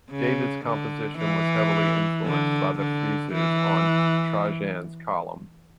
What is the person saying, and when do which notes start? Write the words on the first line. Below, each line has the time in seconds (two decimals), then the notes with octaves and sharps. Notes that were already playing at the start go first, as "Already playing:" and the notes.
David's composition was heavily influenced by the friezes on Trajan's column.
0.11 C#3
0.65 D3
1.18 E3
2.25 D3
2.79 D3
3.33 E3